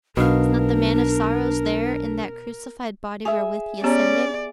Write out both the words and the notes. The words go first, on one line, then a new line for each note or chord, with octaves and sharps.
Is not the Man of Sorrows there in that crucified body wherewith he ascended?
B1 B2 D4 A#4 F5
G#4 E5 G#5
B3 C#4 G4 D5 A#5